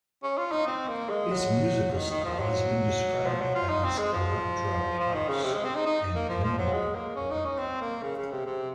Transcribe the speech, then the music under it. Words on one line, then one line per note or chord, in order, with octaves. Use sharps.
His musical style has been described as electro house and minimal electro.
C#4
F4
D#4
C4
A#3
G#3
F#3
C#3
D#3
D#3
F3
F#3
F3
F#3
F4
D#4
C4
G#3
F3
F3
D#3
C#3
C3
G#3
C4
D#4
D#4
A#3
F3
F3
F#3
G#3
A#3
C#4
D#4
C#4
C4
A#3
C#3
C#3
C3
C3